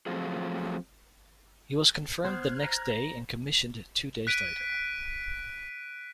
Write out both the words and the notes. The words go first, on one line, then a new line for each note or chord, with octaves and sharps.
He was confirmed the next day, and commissioned two days later.
F3 F#3 A3 C4 F4 G#4
B3 C5 F6 F#6 G#6
A#5
F#6 B6 D7 D#7